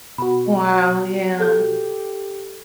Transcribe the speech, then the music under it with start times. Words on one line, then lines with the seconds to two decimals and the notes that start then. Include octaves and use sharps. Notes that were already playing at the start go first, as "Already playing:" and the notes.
Wow, yeah.
0.18 B2 F#4 B5
1.40 G4 A4 G6